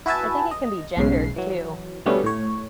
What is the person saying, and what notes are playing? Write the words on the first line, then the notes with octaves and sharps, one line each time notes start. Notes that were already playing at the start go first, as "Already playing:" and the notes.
I think it can be gendered too.
E4 F#4 B4 E5 G#5 A5
D#5
B1 G#2 C#3 C7
E3 F#3
B2 D3 G3 A3 B3 C#4
A2 C#5